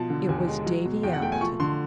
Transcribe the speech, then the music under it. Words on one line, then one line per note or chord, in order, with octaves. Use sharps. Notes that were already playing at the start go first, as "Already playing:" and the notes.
It was Davy Appleton.
Already playing: B2 F3 A5
D3
D#2 G#5
G#3
F#3
B2
E2 G5
F#5
A3 G5
G#5
F3 C#6
D3 C6